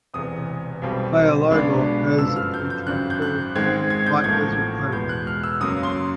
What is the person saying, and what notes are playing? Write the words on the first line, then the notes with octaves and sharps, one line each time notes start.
Faya-Largeau has a tropical hot desert climate.
E1 E2 C3 D#6
B1 B2 G3 C4
B1 B2 G#3 B3 D4
G1 F#2 C#3 F3 E6
F6
G6
G6
G#1 F#2 C#3 F#6
G6
F#6
G#2 D#3 G#3 C4 G#6
G#6
G6
A1 A2 F3 A#3 G#6
E2 B2 G#3 B3 G6
F#6
F6
E6
F#2 C#3 F#3 A#3 C#4 D#6
C6